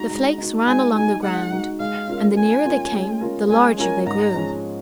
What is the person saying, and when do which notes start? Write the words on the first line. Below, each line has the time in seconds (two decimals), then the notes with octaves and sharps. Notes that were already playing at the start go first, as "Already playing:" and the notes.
The flakes ran along the ground, and the nearer they came the larger they grew.
Already playing: G#3 D#4 F#4 A#5
0.11 G#3
0.38 D#4 F#4
0.67 G#3 G#5
0.96 D#4 F#4 G#5
1.23 G#3 F#5
1.52 D#4 F#4
1.80 G#3 F5
2.08 C#4 F4 A#4
2.36 G#3 G#5
2.65 C#4 F4 A#4
2.92 G#3
3.21 C#4 F4 A#4
3.49 G#3 G#5
3.78 C#4 F4 A#4 G#5
4.06 G#2 A#5
4.34 F3 G#3 C#4